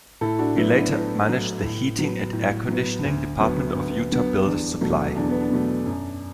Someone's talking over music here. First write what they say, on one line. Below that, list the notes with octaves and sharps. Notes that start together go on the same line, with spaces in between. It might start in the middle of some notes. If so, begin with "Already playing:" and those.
He later managed the heating and air conditioning department of Utah Builders Supply.
A2 E4 A4
D4 F#4
F#3 A3 B3 E4
D4
A2 B3
F#3 A3
A2
F#3 B3
A2
F#3 B3
D2
D3 F#3 B3
D2 B3
B3
D3 F#3 B3
E2 D4
B2 F#3 A3
E2 D4
B3
D4
B2 F#3 A3
F#2